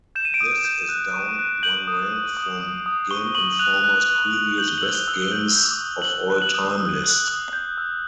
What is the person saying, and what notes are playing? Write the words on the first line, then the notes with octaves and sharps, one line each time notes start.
This is down one rank from "Game Informer"s previous best games of all-time list.
G6 E7
D#7
D7
D#6 D#7
G6
F#6
C#6
F#6
G6 F#7
D#6
D#6
D#6
D#6
D#6
C#6 G7
C#6 F#7
F#7
F#6 F7
F#6
F#6
F#6
G6 F#7
G7
E6 F#7
G7
E6
G7
G6 F#7
G6
D#6
F#7
F#6 G7
F#6
F#7
D#6
D#6
F#6
D#6
G6
E6